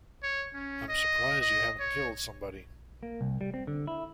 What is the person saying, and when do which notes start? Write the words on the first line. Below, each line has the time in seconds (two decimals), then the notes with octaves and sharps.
I'm surprised you haven't killed somebody.
0.23 C#5
0.54 C#4
0.89 D#5
1.41 D#5
1.80 C#5
3.03 A#3
3.21 C2
3.41 G3
3.54 C4
3.67 D3
3.87 E4